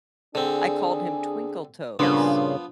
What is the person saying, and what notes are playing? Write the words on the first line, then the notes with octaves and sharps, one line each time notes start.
I called him Twinkle Toes,
D3 C4 D4 G#4
G2 A#2 C#3 F3 B3 D4 C6